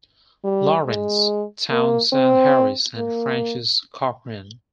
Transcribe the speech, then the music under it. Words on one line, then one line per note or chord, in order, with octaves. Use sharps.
Lawrence, Townsend Harris, and Francis Cochran.
G3
G#3
A#3
C4
A#3